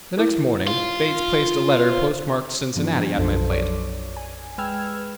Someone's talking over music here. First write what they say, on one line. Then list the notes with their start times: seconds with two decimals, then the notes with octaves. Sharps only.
The next morning Bates placed a letter postmarked Cincinnati at my plate.
0.17 E4 A#4
0.67 F4
1.90 C5
2.76 G2 F3 B3 D4
3.18 B1 F#2 F3 F#3 A4 C5
3.52 C#5 D5
4.17 G#5
4.58 G#3 B4 G5 E6 F6 G#6